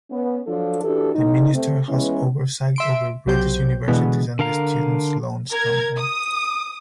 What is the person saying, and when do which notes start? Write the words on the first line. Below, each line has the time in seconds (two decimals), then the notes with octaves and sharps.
The minister has oversight over British universities and the Student Loans Company.
0.11 B3 C#4
0.47 F3 F#3 D4 F4 A4
0.84 E3 D4 F#4 G4 A4
1.15 A2 D#4
1.54 C3 A3 C4
1.89 E3 G#3 B3 C#4 E4
2.76 E5 C6 D7
3.27 B1 F#3 G4 C5 G6
3.88 B2 D3 E3 G#3 B3
4.39 D3 A#4 F5 A#5
5.50 A#4 G#6
5.96 D#6